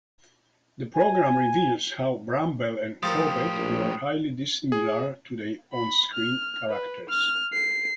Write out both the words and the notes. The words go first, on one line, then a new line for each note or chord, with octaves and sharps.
The programme reveals how Brambell and Corbett were highly dissimilar to their on-screen characters.
G#5
A2 F3 G4 A4 A#4 D#6
A#1
G#4
B5
F6
B4
F6
C7